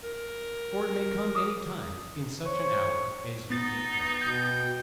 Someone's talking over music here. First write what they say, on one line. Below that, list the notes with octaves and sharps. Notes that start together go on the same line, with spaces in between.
For it may come any time, in such an hour as ye think not.
A#4
D6 D#6
C5 C#5
B3 D#4 A6
B2 G5